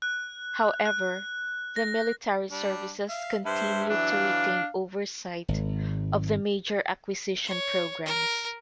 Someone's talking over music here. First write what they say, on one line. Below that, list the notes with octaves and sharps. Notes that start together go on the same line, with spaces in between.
However, the military services continued to retain oversight of the major acquisition programs.
F#6
F#6
A#6
G3 D4
E5 F5
G2 C5 E5
E3 F#3 D4
F5
G#1
C#5
A#4